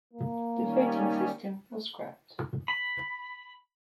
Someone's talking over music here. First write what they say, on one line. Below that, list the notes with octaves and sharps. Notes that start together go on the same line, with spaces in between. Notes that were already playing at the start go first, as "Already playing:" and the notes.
The voting system was scrapped.
A#3
D#3 G3 C#4
B5